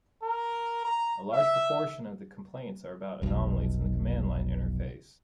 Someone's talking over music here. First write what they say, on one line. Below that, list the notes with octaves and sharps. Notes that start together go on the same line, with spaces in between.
A large proportion of the complaints are about anomalies in the command line interface.
A#4
A#5
E5
F1 B1